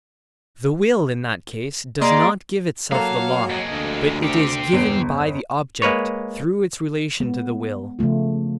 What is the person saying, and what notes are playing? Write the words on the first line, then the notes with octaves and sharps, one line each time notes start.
The will in that case does not give itself the law, but it is given by the object through its relation to the will.
A#3 G#4 D5 D#5 A#5 C6
F#3 A#3 A4 F5
F2 G#3
D2
C4 G4
G1 E2
G#3 A#3 B4 C#5
G#3 B3
C#3 F3 A3 F4